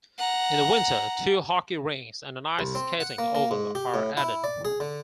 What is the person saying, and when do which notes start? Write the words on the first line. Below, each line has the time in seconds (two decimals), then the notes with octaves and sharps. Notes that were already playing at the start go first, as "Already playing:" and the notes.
In the winter two hockey rinks and an ice skating oval are added.
0.18 F#5 A#5
2.59 C2
2.75 C4
3.00 F#5
3.18 A#3
3.35 A#3
3.51 G#2
3.75 G4
3.94 A2
4.17 E4
4.44 D5
4.65 G#4
4.80 D3